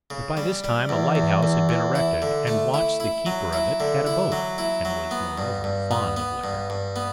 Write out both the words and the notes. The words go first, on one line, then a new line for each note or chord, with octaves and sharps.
But by this time a lighthouse had been erected, and Watts the keeper of it had a boat, and was, moreover, fond of liquor.
C#3
G3
G3
E2
E2
E2
E2
E4
D3
A3
E4
E4
F#3
E4
D3
E4
F#3
E4
F#3
B3
G2
G2
B3
B3
G2
G2
B3